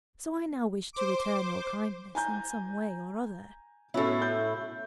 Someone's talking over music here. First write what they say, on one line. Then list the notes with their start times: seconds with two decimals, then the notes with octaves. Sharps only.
So I now wish to return your kindness in some way or other.
0.93 C5 D6
2.15 G#5 A#5 G6
3.94 A2 B3 C#4 E4 F#4
4.22 G6